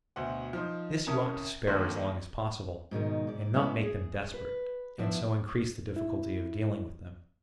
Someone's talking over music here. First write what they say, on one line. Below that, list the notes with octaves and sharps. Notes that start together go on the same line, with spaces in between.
This you ought to spare as long as possible, and not make them desperate, and so increase the difficulty of dealing with them.
D2 B2 C5 F#5
F3 D#4 C5
C2 C#4 A#4 A5 D#6
D#1 A#1 D#2 D4 C6
G#2 B2 D#3 D#4
G#2 D5
G#3 B3 C#4 D4 E4 A4
G#4
B4
F3 B3 D4 E4 E5
E4